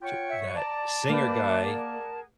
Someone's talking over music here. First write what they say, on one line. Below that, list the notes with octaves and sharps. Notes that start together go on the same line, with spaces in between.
t that singer guy,
F4 C#5 F#5 G5 C#6
E5
D5 A5 A#5
A#3 G4 B4
G#4 A#4 F#5